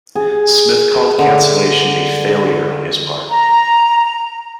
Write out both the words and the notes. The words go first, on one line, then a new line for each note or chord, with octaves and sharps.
Smith called the cancellation a "failure" on his part.
G#4
D3
A#5